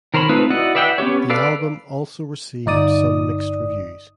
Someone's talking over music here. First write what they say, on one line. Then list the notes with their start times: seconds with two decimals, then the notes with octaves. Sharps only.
The album also received some mixed reviews.
0.14 D#3 A#4 C5 C#5 B5
0.29 A3 C4 D#4 F4 B4
0.50 E4 F#4 D5 D#5 F#5
0.75 B4 D5 E5 F#5 G5
0.98 B3 C#4 G4 C#5
1.30 A4 B4 D5 F5
2.66 G1 D#4 D5 D#6